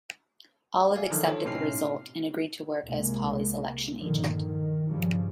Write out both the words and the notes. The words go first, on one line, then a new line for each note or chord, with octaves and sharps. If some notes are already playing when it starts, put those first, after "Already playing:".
Olive accepted the result, and agreed to work as Paulley's election agent.
D5 E5 F5 G#5
D3 D#3 F3 F#3 D#4 A4
F4 A4 C#5
A2 C3 C#4 D#4 F6 C7
C2 C3 G#3 A#3
G2 A#2 D3 D#3 F3
D#3
G2 C#3 F3 G3